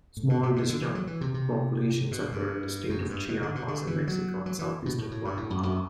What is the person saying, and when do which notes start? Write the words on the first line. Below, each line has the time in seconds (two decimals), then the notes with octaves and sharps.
Small disjunct populations occur in the state of Chiapas in Mexico and southeastern Guatemala.
0.17 A2
0.29 B2
0.43 C3
0.56 B2
0.69 D3
0.81 E3
0.95 F#3
1.07 E3
1.21 C3
1.34 C3
2.11 B2
2.32 G2
2.89 F#2
3.09 G2
3.29 B2
3.43 D3
3.55 B2
3.68 D3
3.87 E3
4.07 F#3
4.46 F#3
4.59 E3
4.86 B2
4.98 A2
5.11 A2
5.25 G2
5.37 A2
5.50 F#2
5.63 F#2